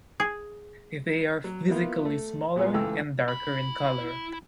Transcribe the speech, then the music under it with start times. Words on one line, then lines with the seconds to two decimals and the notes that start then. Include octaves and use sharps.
They are physically smaller and darker in color.
0.20 G#4
1.44 F#3
1.68 A#3 B3 E4 F4
2.05 A3
2.56 A#2 F#3 G#3 B3 F4
2.74 C#2 E3 A3 G5 E6
3.28 E4 B5